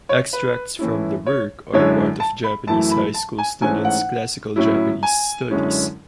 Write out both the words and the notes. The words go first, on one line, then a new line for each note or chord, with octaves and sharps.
Extracts from the work are part of Japanese high school students' classical Japanese studies.
C#5
B4
A2 E3 A3 C#4 E4
C#5
F#2 D3 G#3 C#4 E4 C#5
A5
B5
F#2 E3 A3 E4 A5
B5
A5
G#5
G#2 E3 A3 C#4 G#5
F#5
A2 F#3 C#4 E4
G#5
F#2 D3 G#3 C#4 E4